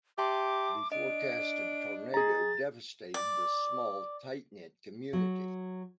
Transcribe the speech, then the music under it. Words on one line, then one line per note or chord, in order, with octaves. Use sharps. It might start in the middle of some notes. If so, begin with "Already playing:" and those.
The forecasted tornado devastated the small tight-knit community.
G4 E5 A5 C6 D6
D4 D#5 D7
G#4 A#5 A6
D5
F#3